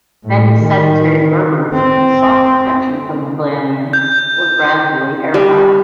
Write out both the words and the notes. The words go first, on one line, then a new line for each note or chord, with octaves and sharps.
Many sedentary Berbers who sought protection from the Hilalians were gradually Arabized.
A2
D#3
C4
G6
G3